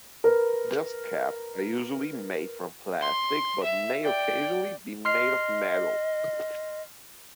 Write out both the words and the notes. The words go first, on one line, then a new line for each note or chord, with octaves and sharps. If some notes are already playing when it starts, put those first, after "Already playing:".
Dustcaps are usually made from plastic but may occasionally be made of metal.
A#4 B4
C6
E5
D5 G5
D#5 C6 F6 C7